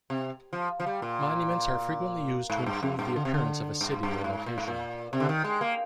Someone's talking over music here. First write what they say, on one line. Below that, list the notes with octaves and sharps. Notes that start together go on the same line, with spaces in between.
Monuments are frequently used to improve the appearance of a city or location.
C3
F3
F3
G3
A#2
G#2
G2
F2
G2
D3
C3
D3
G2
G2
G#2
A#2
G#2
A#2
C3
D3
D#3
G#3
A#3